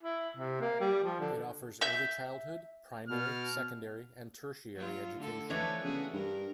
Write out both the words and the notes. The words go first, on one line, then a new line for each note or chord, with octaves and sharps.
It offers early childhood, primary, secondary and tertiary education.
E4
C3
A#3
G3
F3
D3
E5 G6
B2 F6
F#3 F4
D3 A3 A4
E3 F3 A3 D4 B4 C#5
C#3 B3 F#4 G#4
G2 A#4